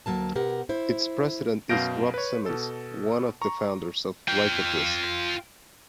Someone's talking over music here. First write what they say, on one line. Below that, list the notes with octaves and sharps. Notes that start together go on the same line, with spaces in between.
Its president is Rob Simonds, one of the founders of Rykodisc.
D2 G#2 F#3 A#3 A5
B2 G4 A#4 F#5
E4 C5
F#2 B2 F5 G6 A#6 D7
B4 C#5
B2 A4
A#5 C#6
F4 G5